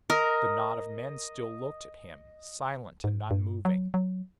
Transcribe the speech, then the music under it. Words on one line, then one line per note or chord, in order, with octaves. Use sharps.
The knot of men still looked at him, silent and unmoving.
A#4 D#5
G#2
G2
F#3
F#3